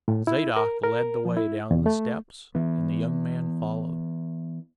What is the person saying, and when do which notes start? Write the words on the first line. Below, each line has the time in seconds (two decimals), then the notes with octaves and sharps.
Zadok led the way down the steps and the young man followed.
0.08 A2
0.27 E4
0.56 A#4
0.84 A#4
1.25 F3
1.37 E4
1.71 E2
1.86 A3
2.55 E3 B3